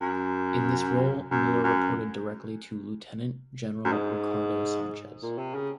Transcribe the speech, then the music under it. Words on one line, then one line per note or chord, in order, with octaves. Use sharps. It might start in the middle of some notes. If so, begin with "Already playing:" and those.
In this role, Miller reported directly to Lieutenant General Ricardo Sanchez.
F#2
F#2
F#2
F#2
G#2
A#2
C3
C#3